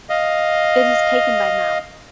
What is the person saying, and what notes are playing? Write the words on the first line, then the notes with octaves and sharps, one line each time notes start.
It is taken by mouth.
D#5 F5